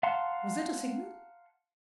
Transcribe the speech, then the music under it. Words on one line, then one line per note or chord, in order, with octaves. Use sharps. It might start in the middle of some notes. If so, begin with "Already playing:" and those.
Was it a signal?
F5 F#5 A5 A#5 C6